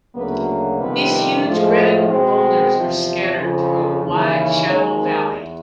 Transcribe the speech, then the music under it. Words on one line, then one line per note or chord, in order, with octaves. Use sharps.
These huge granite boulders are scattered through a wide, shallow valley.
D2 C#3 F#3 A#3 B3 B4
F2 C3 D#3 G3 B3 B4
A2 F3 G#3
B2 G#3 C4 C5
E2 C3 F3
F2 C#3 F3
D#2 C#3 E3
D#2 D#3 G#3 C#4 C#5
C4 C5
E2